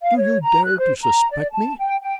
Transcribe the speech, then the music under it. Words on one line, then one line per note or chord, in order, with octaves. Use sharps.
"Do you dare to suspect me?"
F5
C#5
A#5
F#6
C5
A#5
D5
A5
G5
G5